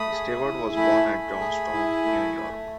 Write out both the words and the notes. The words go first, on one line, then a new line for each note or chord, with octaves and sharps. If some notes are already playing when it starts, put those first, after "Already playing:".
Stewart was born at Johnstown, New York.
Already playing: A3 B5 D#6
G#4
E4
A3 G#5 B5
A3
G#4
E4
A3
A3